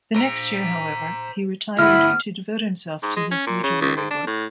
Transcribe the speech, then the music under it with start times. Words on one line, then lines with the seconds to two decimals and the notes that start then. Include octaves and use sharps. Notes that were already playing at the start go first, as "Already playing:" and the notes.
The next year, however, he retired to devote himself to his literary work.
0.16 C5 A#5
1.79 D2 B3 E4 F6
3.03 G#2
3.16 G#3
3.31 C#4
3.46 A#2
3.63 C#3
3.81 C#2
3.96 G#2
4.10 D4
4.27 A2